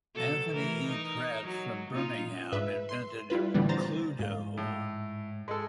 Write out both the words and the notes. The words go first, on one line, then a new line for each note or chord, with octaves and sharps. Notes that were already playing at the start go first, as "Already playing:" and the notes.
Anthony E. Pratt from Birmingham invented Cluedo.
B2 F#3 A4
E3 A3 A#4
D#4 A#4
F#3
A#2 D#4 F4
G#2 B4 E5
C6
G3 E4 F4 B4
A2 D3 E3 G3 B3
C5 A#5 A6
G#2 F5
A2
G#3 A4